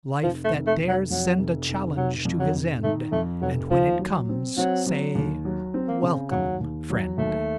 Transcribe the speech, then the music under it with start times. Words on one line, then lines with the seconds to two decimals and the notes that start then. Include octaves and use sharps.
Life, that dares send A challenge to his end, And when it comes, say, "Welcome friend."
0.23 F1 F3
0.44 A3
0.52 F1
0.67 A3
0.81 F1
0.88 F#3
1.10 F2 F#3
1.38 F1
1.68 F1
1.96 F1 F#3
2.25 F2
2.40 F#3
2.54 F1
2.84 D#3 A3
3.12 F2 A3
3.41 F1 F#3
3.71 D#2 F3
3.99 F#3
4.29 C4
4.57 F#3 C4
4.86 F#3
5.15 D#2
5.45 F#3
5.74 C4
5.88 A#3
6.02 C#3
6.31 D#2 F#3
6.60 D#2
6.90 F#3
7.18 D#2 A3